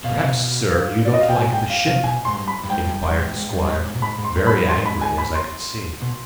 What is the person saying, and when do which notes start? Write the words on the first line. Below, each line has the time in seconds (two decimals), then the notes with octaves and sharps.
"Perhaps, sir, you don't like the ship?" inquired the squire, very angry, as I could see.
0.04 B2 F5
0.18 C3
0.31 B2
1.05 D5
1.14 D#5
1.21 F5
1.28 B2 G5
1.36 G#2 G#5
1.46 B2
1.53 G#2 G5
1.70 F5
1.86 C3 F5
2.03 B2 G#5
2.25 G#2 C6
2.36 G2
2.48 B5
2.64 G2
2.69 G#2 G5
2.86 G2
3.03 G2
3.19 G#2
3.36 G#2
3.53 G2
3.65 G2
3.69 G#2
3.85 G#2
3.95 B2
4.02 G#2 B5
4.18 G#2
4.24 C6
4.36 G2
4.47 B5
4.52 G#2
4.64 G2
4.69 C6
4.75 G#2
4.85 B5
5.01 G#5
5.18 B5
5.35 C6
6.02 B2